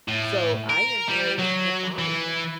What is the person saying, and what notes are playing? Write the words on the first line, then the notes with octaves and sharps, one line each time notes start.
So I enjoy the balminess
A2
A#4
G3
F#3
E3